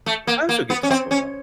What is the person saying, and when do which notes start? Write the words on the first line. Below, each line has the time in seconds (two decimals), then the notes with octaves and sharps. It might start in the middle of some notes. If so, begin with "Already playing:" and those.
I also get Taco Bell.
0.06 A3
0.27 A#3
0.49 A#3
0.70 B3
0.83 C#4
0.90 C4
1.11 C#4